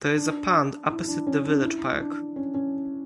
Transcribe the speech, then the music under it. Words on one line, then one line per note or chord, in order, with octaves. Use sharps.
There is a pond opposite the village park.
D4
E4
E4
D4
C#4
D4
E4
D4
C#4
C#4